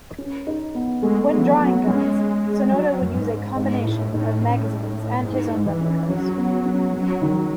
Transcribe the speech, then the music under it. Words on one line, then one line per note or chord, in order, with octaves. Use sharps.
When drawing guns, Sonoda would use a combination of magazines and his own replicas.
C#4
D#4
B3
G#3 A3
G#3 B3
E3
F#3
B3
G#3 C#4
F#3
F#2
G#2
G#2 D#4
A2 E4
E4
A2 D#4
C#4
D#4
A2
G#2 E4
D#4
E4
D#4
E3
C#4
F#3 C#4
C#4
B3
C#4
F#3 C#4
D#3
F#3